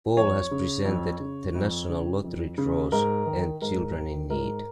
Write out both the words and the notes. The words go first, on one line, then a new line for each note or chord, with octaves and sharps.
Ball has presented "The National Lottery Draws" and "Children in Need".
F2 C#5
C#3
F2
C#3
F2
C#3
F2
C#3
G#2 A#4
D#3
G#2 A#4
D#3
G#2 A#4